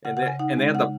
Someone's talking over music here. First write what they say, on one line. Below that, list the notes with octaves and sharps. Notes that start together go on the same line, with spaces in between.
and they and they had the
C#3 F#5
F#5
C#3
G#5
D#4 F#5
G#3
C#3 F#5